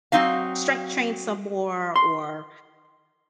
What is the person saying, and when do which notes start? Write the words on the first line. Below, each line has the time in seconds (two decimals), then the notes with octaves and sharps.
strength train some more," or,
0.12 F#3 C4 D#4 F5
1.96 C6